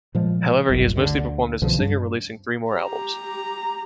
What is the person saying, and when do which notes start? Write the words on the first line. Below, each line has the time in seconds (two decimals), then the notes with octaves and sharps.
However, he has mostly performed as a singer, releasing three more albums.
0.15 A#2 F3 G#3
0.70 G1 C2 F#2
0.96 D2 D3
1.62 C2 B2 D3 F3
1.79 G2 G3 D4
2.72 G4 A#5